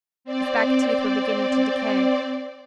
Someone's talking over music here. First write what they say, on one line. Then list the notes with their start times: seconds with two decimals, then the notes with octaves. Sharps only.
His back teeth were beginning to decay.
0.24 C4 D5